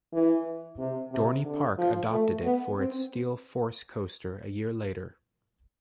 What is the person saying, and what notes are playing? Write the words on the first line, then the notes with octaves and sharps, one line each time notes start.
Dorney Park adopted it for its Steel Force coaster a year later.
E3
C3
C3
D3
F3
A3
B3
C4